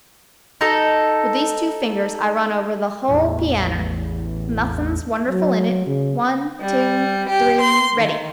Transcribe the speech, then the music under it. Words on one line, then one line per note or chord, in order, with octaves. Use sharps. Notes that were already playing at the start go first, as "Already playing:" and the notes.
With these two fingers I run over the whole pianner. Nothin' wonderful in it: one, two, three--ready.
D#4 A4
A1 E2 A2
F#3
C#3
G3
G4
C6
D#3